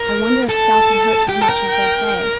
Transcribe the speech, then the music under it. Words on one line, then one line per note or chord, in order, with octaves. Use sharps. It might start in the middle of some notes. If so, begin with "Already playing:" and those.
I wonder if scalping hurts as much as they say.'
Already playing: A#4
A4 A5
G4 G5
A4
A#4
G5